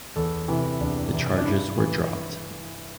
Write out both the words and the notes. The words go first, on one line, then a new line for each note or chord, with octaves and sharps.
The charges were dropped.
E2 A4
C3 E3 E4
E2 D4
C3 E3
D4
G2 E4
E3
E4